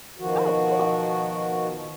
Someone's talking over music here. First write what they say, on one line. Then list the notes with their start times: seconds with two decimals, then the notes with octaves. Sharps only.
Oh, cool.
0.19 B2 D#3 F3 F#4